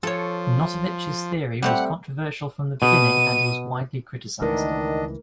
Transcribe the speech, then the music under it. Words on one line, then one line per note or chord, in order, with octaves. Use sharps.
Notovitch's theory was controversial from the beginning and was widely criticized.
F3 A4 C#5
G3 A3 C4 F#5
B2 D#7
C#2 D#3 E3 A3 D4 A#4 D#5